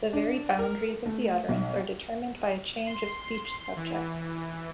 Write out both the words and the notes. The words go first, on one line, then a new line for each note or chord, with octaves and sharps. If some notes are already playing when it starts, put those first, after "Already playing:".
The very boundaries of the utterance are determined by a change of speech subjects.
D4
A#4
A3
B1
C6
E3